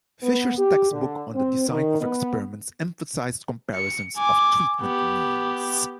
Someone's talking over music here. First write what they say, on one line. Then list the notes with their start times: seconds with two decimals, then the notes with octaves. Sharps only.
Fisher's textbook on the design of experiments emphasized comparisons of treatment means.
0.23 B3
0.58 G4
0.91 D3
1.34 C4
1.68 D#3
2.01 B3
3.74 C#7
4.17 G#5 D6
4.81 B3 G4